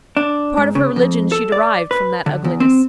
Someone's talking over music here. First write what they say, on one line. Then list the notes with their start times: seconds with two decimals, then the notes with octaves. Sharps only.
A part of her religion she derived from that ugliness.
0.17 D4
0.57 G#2
0.75 C#3
0.96 F2
1.32 A4
1.52 D5
1.91 B4
2.26 D3
2.44 E2
2.60 C4